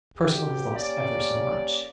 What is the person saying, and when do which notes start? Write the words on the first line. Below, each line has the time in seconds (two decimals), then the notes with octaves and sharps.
"Percival has lost ever so much."
0.18 B1 G4
0.74 A#3 C#4 G4 D5